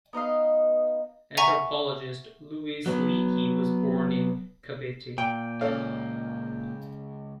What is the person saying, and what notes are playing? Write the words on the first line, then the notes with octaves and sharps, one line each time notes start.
Anthropologist Louis Leakey was born in Kabete.
B3 D#4 D#5 F5
E5 F#5 G#5 A#5 C#6
F#3 B3
A#2 G5
C#2 G2 C#4 A4 F5